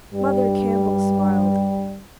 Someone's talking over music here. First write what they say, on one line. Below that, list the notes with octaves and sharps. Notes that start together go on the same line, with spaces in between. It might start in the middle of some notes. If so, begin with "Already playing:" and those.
Mother Campbell smiled.
G2 G3